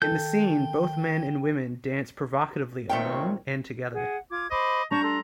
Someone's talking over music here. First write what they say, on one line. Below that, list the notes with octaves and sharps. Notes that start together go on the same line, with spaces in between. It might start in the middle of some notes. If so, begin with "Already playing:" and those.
In the scene, both men and women dance provocatively alone and together.
D#3 A4 G5 G6
A#2 D#3 A3 C4 C#5 G5
G#4 F#5
F4 D6 G#6
C5 D#5 B5 D6
G3 D4 A5 A#5 C#6 G6
A4 C6